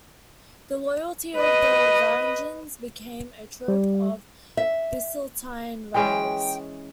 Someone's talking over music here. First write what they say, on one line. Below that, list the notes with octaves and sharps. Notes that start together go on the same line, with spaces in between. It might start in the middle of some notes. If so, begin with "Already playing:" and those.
The loyalty of the Varangians became a trope of Byzantine writers.
B4 D#5
G3
E5
E3 G#3 C#4 G5